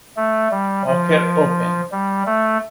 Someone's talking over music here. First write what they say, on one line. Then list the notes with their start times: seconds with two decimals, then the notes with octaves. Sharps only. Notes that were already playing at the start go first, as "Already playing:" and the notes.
Poker Open.
0.17 A3
0.51 G3
0.87 F3
1.92 G3
2.26 A3